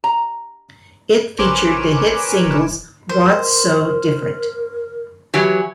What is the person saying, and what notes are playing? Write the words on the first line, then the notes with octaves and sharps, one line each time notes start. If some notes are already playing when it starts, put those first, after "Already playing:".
It featured the hit singles What's So Different?
A#5
A1 C4 A#4 B4 C#5 G#5 D6 E7
D#1
A#4 C5
E3 F#3 G4 G#5